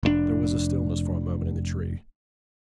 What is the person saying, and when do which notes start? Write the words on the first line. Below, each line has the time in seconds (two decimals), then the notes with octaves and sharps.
There was stillness for a moment in the tree.
0.03 F1 G#2 D4